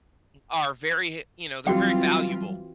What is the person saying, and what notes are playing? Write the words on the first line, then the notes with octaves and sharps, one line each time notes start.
mm are very he you know, they're very valuable.
E3 F#3 G3 C4 F4 F#4 G5